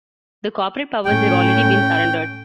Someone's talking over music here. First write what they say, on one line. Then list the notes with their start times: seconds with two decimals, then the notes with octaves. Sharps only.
The corporate powers have already been surrendered.
1.05 A2 C#4 G5